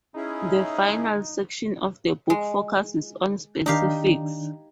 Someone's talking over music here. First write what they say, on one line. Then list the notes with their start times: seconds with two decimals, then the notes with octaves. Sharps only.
The final section of the book focuses on specifics.
0.16 C#4 D#4 E4 G#4
2.30 G#3
3.66 D#3 D4 D#4 G4 F5